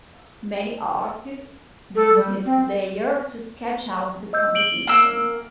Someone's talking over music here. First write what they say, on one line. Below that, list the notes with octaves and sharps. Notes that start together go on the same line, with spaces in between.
Many artists use this layer to sketch out the composition.
A4
G3
C4
D#5 E6 G6
D7 F#7 G7
A#3 E6